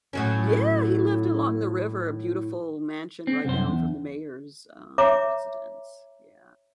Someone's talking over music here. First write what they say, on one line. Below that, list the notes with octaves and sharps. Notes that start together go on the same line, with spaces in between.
Yeah! He lived along the river, a beautiful mansion right down from the mayor's, um, residence, yeah,
A2 F#3 C#4
C4
C2 F#2 C5
E2
C#5 E5 A#5 D6